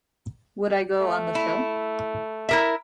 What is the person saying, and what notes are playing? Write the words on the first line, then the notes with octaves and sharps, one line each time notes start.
Would I go on the show?
A3
E4
E4 A#4 E5